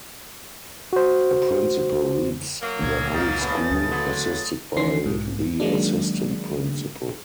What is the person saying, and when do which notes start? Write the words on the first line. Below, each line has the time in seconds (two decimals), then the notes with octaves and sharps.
A Principal leads the whole school assisted by the Assistant Principal.
0.93 F#4 C5
2.62 F#3 A#3
2.82 C#2 A#2 D#5 G#6
3.13 D#4 F5 A6
3.38 C#3 A3 B3
3.70 D2 A5
3.90 D3 E3 F#3 C6
4.77 D#3 E3 C#4 C6 C7
5.05 B1 G#2
5.60 D#3 F#3 G#3 A#3 D4